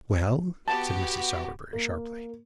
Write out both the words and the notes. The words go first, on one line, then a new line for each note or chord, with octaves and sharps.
'Well,' said Mrs. Sowerberry, sharply.
B3 F#4 G4 A5
A#3